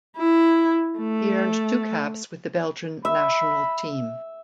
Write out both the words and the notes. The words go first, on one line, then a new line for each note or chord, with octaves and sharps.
He earned two caps with the Belgian national team.
E4
A3
E5 B5